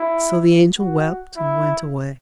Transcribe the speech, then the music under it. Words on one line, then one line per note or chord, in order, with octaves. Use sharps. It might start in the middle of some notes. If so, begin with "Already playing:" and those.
So the angel wept and went away.
Already playing: E4
F#4
E4